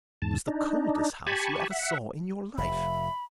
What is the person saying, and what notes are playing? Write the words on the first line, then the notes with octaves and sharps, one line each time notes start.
It was the coldest house you ever saw in your life.
E2 G#2 A5
D4 D#4
G4 G#5 A5 B5 C#6
E5 F#5
F1 E5 B5